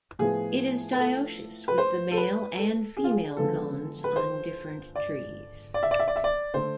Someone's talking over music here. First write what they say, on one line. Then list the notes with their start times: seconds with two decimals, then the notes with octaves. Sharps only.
It is dioecious, with the male and female cones on different trees.
0.19 A2 F3 B3 G#4
0.93 B4
0.99 A4
1.68 B4
1.78 C5
2.12 A4
2.18 B4
2.57 A4
2.97 G#4
3.04 F4
3.11 G#4
3.36 D3 F3 G#3 B3 A4
4.04 B4
4.16 C5
4.95 D5
5.74 D5
5.83 E5
5.91 D5
5.99 E5
6.08 D5
6.16 E5
6.24 D5
6.54 D3 A3 C5